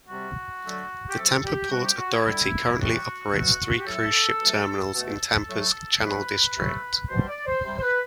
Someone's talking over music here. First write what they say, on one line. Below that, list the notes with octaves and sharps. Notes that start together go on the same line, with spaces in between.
The Tampa Port Authority currently operates three cruise ship terminals in Tampa's Channel District.
C3 G3 F#4
D3 F#3 A3
G4
C3 F#3 A3 A4
G4
C3 G3 F#4
G4
F#4
E4
D3 G3
A2 E3 G3 F#4
B2 F#3 A3
G4
A2 F#3 A3 A4
B2 F#3 A3
B2 A3 A4
A2 F#3 A3
C3 F#3 A3 B4
C3 F#3 A3
B2 G3 C5
D5
C5
C3 G3 C5
C5
B4